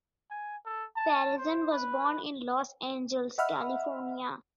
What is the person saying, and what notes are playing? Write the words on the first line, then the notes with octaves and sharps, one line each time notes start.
Frazen was born in Los Angeles, California.
G#5
A4
A5
C5
B4
D#5 E5 F#5 B5 E6 F6